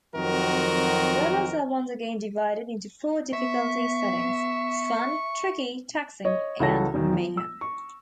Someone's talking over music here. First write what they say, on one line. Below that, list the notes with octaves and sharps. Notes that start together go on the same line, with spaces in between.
Levels are once again divided into four difficulty settings: Fun, Tricky, Taxing and Mayhem.
F2 D#3 F#3 C4 F#4 A#4
B3 E5 C#6
C#5 D#5
C#2 E3 F#4 A4 C#5 A#6
E1 D#3
F3
E6
C#6